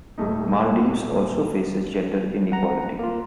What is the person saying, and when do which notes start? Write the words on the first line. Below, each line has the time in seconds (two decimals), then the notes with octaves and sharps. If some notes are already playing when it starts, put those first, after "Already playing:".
Maldives also faces gender inequality.
0.18 D#1 G#1 A3 D#4
2.52 F#5 A#5
2.99 A#3 F4